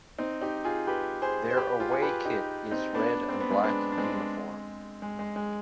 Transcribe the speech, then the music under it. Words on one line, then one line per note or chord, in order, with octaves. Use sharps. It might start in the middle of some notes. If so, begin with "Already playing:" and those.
Their away kit is red and black uniform.
C4 D#4
D#4 G4
F4 G#4
G4 B4
G#4 C5
C5
G4 B4
F4 G#4
G#4
G4 B4
D#4 G4
C4 D#4
B3 D4
C4
B3
G#3 C4
B3 D4
D4
G#3 C4
G#3
G#3
G#3